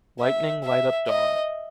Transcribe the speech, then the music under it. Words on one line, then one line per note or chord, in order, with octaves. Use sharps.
Lightning light up dawn.
E5
E5
D#5